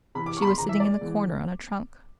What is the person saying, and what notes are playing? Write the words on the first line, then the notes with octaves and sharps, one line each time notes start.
She was sitting in the corner, on a trunk.
C3 E3 B5
D6
E2 C#6
B5
C6
C3 E3 A#5
E5
A#1 D5
G#2 E3